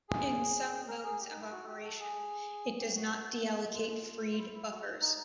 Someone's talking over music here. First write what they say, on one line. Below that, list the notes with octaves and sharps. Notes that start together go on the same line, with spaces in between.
In some modes of operation, it does not deallocate freed buffers.
G#4
A#4
G#4
G4
D#4
E4
F#4
G4
A4
G#4
G4
F#4
F4
E4
E4
F#4
D#4